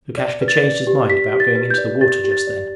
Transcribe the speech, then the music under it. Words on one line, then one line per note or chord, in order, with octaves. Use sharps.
Lukashka changed his mind about going into the water just then.
D5
B4
A6
D5
G4
G4 B6
G4
A6
B4
G6
D5
G4 A6
G4
A6
D5